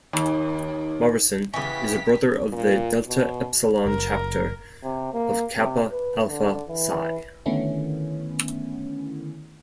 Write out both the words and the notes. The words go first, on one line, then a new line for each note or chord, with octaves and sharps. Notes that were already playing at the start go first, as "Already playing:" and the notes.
Morrison is a brother of the Delta Epsilon chapter of Kappa Alpha Psi.
D#2
C#3 E3 B3 G4 C#6 B6
A#2
B2
F#1 A#4
C3
A#3
C3
B4
D3
E3
D3 D#3 A3 B3 C#4 E4